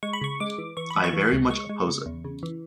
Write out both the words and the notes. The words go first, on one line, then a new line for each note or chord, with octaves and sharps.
I very much oppose it.
G#3 C#6
B5
C#3 C#6
G#3 D6
E3
E3 C#6
E3 B5
C#6
E3
C#2
G#3 C#6
G#3
C#3
E2
C#3
E3